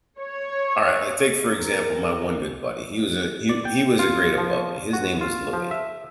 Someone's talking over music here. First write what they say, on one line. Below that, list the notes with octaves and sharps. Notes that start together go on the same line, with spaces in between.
alright, like, take for example, my one good buddy, he was a he he was a grade above me, his name was Louis.
C#5
A#4
D5
G5
F4
F3
F#4
F4
F3
E5